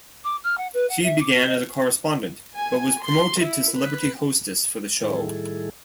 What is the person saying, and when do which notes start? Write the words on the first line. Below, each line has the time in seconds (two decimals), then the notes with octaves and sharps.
She began as a correspondent, but was promoted to celebrity hostess for the show.
0.24 D6
0.44 F6
0.58 F#5
0.74 B4
0.89 F#5
1.03 E5
1.20 D6
1.34 F#4
1.47 D#5
2.56 G#5
3.03 C6
3.40 E4
3.75 B4
5.02 A2 D#3 G3 E4 G#4 A4